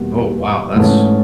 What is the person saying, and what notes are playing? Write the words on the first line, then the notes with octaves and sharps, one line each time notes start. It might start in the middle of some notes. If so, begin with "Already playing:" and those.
Oh, wow. That's
Already playing: E2 B2 G3 A#3
G#2 E3 A3 C#4